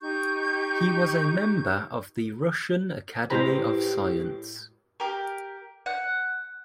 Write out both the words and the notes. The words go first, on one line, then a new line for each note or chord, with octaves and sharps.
He was a member of the Russian Academy of Science.
D#4 G4 C#6 G6
A2 G#3 G4 B4 C5 A#5 B5
G4 A#4
F#5